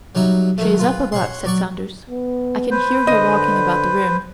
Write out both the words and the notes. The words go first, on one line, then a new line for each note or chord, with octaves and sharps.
"She is up above," said Saunders; "I can hear her walking about the room."
F#3 G3 D#4 E5
D#3 F#3 A3
F4 B4
C#5 F#5 C6
F#3 D5 C#6
B3
B4 C5
D3 D#5